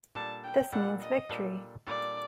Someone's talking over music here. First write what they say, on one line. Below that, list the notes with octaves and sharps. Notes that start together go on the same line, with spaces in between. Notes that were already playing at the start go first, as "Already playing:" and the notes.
This means victory.
A#2 G3 D4 A4 A5
G5
A#2 G3 D4 A4 F#5
D#5
A#2 G3 D4 A4
A#2 G3 D4 A4 D5